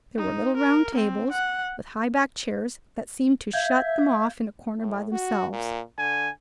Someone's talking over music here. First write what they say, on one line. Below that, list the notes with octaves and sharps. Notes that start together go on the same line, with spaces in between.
There were little round tables with high-backed chairs that seemed to shut them off in a corner by themselves.
D#4
A#4
C4
F#5
E5 F5 G6 G#6
A2
F#4
A#2
D3 G#5